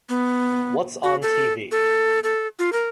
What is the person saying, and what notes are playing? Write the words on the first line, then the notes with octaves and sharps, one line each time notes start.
What’s on T V?
B3
F#4
A4
A4
A4
F4
A#4